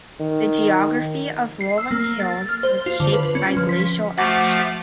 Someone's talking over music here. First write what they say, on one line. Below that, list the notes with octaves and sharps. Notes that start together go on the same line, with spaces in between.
The geography of rolling hills was shaped by glacial action.
D#3
C7
E6
A#3
A6
F6
C5
F4
D3
B4
C#4
F3
B6
F3 A3 F#4 D6